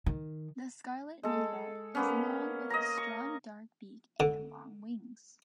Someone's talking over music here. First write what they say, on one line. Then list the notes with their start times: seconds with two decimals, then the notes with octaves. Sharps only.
The scarlet minivet is long with a strong dark beak and long wings.
0.06 D#3
1.23 G#3 A4
1.95 A#3 B3 C#4
2.70 D#5 A#5
2.97 C#6
4.20 D3